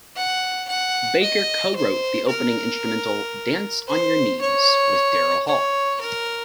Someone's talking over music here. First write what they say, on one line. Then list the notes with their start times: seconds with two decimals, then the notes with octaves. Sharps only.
Baker co-wrote the opening instrumental, "Dance On Your Knees," with Daryl Hall.
0.16 F#5
0.69 F#5
1.22 D#5
1.76 C5
2.28 A#4
3.88 C5
4.41 C#5
5.47 C#5
6.01 A#4